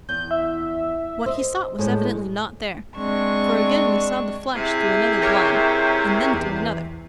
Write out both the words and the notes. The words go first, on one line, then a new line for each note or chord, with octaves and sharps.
What he sought was evidently not there, for again we saw the flash through another blind, and then through another.
E2 G6
E5
C5 D#5
A2 G3 G#3
G#3 C4 D4 C#6
C3 E4 G#4
G4 A#4 C#5
E2